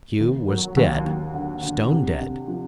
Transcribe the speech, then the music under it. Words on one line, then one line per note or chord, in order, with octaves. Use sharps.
Pew was dead, stone dead.
D#2
F#3
D#2
D#2
D3
D3
C3
C3
F3